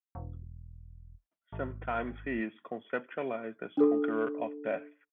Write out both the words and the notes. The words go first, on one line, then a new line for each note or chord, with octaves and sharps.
Sometimes he is conceptualized as "conqueror of death".
E1
G#1
D4 A4